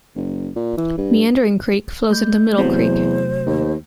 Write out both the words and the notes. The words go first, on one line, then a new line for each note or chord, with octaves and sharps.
Meandering Creek flows into Middle Creek.
F#1
A#2
E3
G2
A3 G6
E2 C3 F#3 C5
D#2